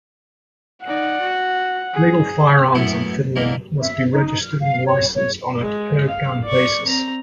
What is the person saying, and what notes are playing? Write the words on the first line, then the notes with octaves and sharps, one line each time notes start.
Legal firearms in Finland must be registered and licensed on a per-gun basis.
D#4 D5 F#5
F#4
G#4
F#2 A2 B3 E4
G#2 D3 E3 A#3
E5
D#4
F6
F5
C#5
C#5
G#3
F5
D5 C#6
C4 A#5